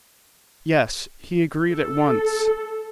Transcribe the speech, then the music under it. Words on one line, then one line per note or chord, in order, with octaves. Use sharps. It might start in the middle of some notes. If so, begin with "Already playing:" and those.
"Yes; he agreed at once."
A4